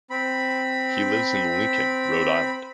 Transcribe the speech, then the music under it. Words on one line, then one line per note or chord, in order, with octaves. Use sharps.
He lives in Lincoln, Rhode Island.
C4 B5